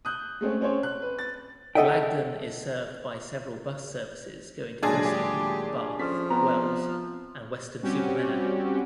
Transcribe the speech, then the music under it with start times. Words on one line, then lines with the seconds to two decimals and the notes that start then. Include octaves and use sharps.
Blagdon is served by several bus services going to Bristol, Bath, Wells and Weston-super-Mare.
0.05 D#6 F#6 G6
0.41 G#3 A3 C4 C#4
0.61 C4 C#4 C5 C#5
0.83 F#6
1.02 B4
1.19 A6
1.75 A4 B4 D#5 E5 F#5 G5
4.83 A#2 F#3 G#3 D4 G#4
5.05 D#2 G#3 A3 G4
5.99 F3 C#4 A4 B6
6.30 B3 C4 A#5
7.82 G3 C4 C#4 F#4 G4